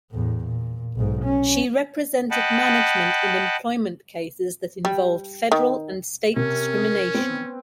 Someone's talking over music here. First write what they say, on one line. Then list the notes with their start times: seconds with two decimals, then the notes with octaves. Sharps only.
She represented management in employment cases that involved federal and state discrimination.
0.11 E2 A2
0.45 A#2
0.96 B1 G#2
1.25 C#4
2.31 D#5 F#5 G5 A5 B5
4.85 G3
5.52 D#3
6.36 C3 C#4 A#4
7.14 B3 C4